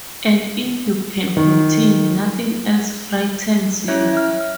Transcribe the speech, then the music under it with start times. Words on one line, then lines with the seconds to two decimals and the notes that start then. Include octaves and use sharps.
And if you can continue, nothing else frightens you.
1.37 D#3
3.88 C#4 E4 C#5 E5 G#6
4.13 E5 F6